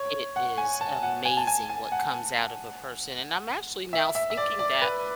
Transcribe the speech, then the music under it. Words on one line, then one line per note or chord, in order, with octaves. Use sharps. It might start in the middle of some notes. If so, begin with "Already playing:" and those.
it is amazing what comes out of a person. And I'm actually now thinking that
Already playing: C#5
F#5
G#5
A5
F#5
G#5
A5
G#5
G#5
F#5
E5
E5
E5
D5
D5
B4